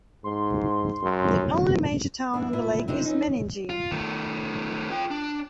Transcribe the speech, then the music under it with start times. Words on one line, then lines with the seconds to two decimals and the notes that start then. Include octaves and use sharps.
The only major town on the lake is Meningie.
0.24 G#2 C6
1.02 F#2
2.34 E3 D4
2.53 A#2 E4
2.88 F2 C3 D4 D#4 A#4 C5
3.05 E3 C#4 D#4
3.70 F4
3.91 D#3 A3
4.90 F4 G5
5.11 D4